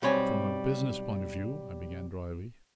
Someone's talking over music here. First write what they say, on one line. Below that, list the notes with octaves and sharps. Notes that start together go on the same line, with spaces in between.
"From a business point of view----" I began dryly.
B1 G3 C4 C#5 G#5